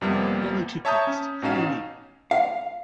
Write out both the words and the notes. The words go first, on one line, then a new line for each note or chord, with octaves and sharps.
Only too pleased. How do you mean?
F2 C3 F3 G3 A#3 B3
C#5 E5 A5 A#5 D#6 G6
C#4
A1 B2 C#4 D#4 F5 E7
F5